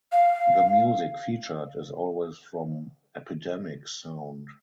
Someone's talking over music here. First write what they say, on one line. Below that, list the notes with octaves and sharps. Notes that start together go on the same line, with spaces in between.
The music featured is always from Epidemic Sound.
F5